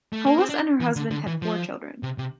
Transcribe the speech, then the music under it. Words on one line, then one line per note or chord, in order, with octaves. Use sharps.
Polis and her husband had four children.
A3
A#3
C4
D4
E3
D3
D3
E3
F3
C3
C3